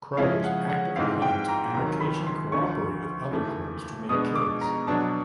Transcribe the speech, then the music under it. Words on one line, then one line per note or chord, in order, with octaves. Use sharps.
Crows actively hunt and occasionally co-operate with other crows to make kills.
C#3 F3 G#3 C#4 E4 F5
F#5
F#5
G#2 E3 G#3 C4 F5
G5
A#5
C#2 C3 D#3 F#3 A#5
B5
C6
D2 D3 F3 C#6
D#2 C#3 E3 A3
B2 G#3 B3 D4 D#6
D6
A#5
B2 F#3 B3 D4 A5